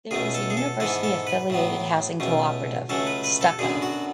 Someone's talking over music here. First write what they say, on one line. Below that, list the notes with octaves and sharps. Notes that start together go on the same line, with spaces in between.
There is a university-affiliated housing cooperative, Stucco.
C#2 B2 A3 G#4
A4
G#4
A4
G#2 E3 B3 A4
A4
B4
A2 F#3 B3
C#2 B2 A3
C#2 C#3 F#3 A3 A4
B4
B4
A4
F#2 D3 F#3 B3 G#4
F#4